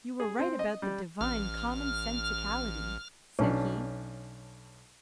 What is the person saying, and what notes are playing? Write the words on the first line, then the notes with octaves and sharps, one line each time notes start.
"You were right about the divine common-sensicality," said he.
G#4
C4
D#5
G3
A1 F6
B1 C#4 D4